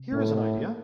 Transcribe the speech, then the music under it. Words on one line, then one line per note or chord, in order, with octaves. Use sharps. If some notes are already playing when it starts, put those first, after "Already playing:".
Here is an idea!
Already playing: C3
A2 A#3
A#3